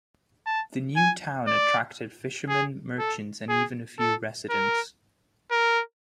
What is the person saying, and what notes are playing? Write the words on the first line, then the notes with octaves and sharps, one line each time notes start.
The new town attracted fishermen, merchants and even a few residents.
A5
G#5
D5
G#4
A4
G#4
A4
A#4
A#4